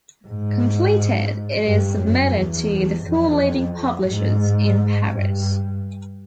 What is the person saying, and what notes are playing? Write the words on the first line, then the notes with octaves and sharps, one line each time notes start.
Completed, it is submitted to the four leading publishers in Paris.
G#2
G2
F#2
E2
F2
G#2
G2